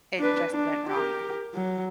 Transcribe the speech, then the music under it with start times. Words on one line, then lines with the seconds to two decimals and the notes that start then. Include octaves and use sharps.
it just went wrong,
0.19 D4 B4
0.51 D4
0.89 G4 A#4
1.54 F#3